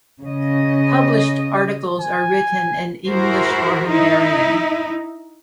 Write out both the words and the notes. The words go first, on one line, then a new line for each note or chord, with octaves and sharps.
Published articles are written in English or Hungarian.
C#3 D#5
G#5
E4 F#4 G#4 A#4 C5
D#4 E4